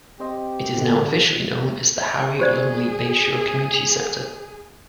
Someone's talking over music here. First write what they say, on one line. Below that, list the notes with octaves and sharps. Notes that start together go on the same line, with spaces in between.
It is now officially known as the Harry Lumley Bayshore Community Centre.
C4 G4 C5 D#5
D3
G4 G#4 C5 D5